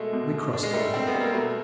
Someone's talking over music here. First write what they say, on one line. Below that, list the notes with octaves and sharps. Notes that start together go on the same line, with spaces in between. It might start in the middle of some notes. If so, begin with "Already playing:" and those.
We crossed over.
Already playing: B2 G#3 A3
B2
G#3
D3 D4
G#3
G3 A3
D3 C4
B3
G3
A#3
B2 A3